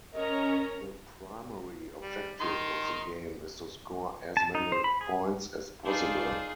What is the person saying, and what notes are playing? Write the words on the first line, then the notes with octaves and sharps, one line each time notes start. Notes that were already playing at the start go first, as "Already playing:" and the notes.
The primary objective of the game is to score as many points as possible.
C#4 A#4 C#5 D#5 A#5
G3
D#3 D#4 C6
A5
D#4
C5
B5
G#4
D#4 F4 G#4 A4 C5 D5